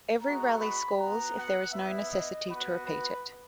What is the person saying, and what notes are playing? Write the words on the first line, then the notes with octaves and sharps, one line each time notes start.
Every rally scores if there is no necessity to repeat it.
G#3 B3 F#4 A#5
B5
B3 F#4 A#5
F#5
B3 E4 E5
D#5
B3 F#4 B4
B4